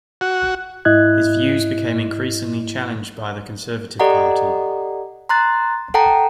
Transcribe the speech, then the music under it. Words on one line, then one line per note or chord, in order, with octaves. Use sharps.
His views became increasingly challenged by the Conservative Party.
F#4
G#2 E4 D#5 F#6 G#6
G4 A4 D5 D#5 F#5 A#5
A#5 C6 F#6 A6
A4 F#5 G5 A5 A#5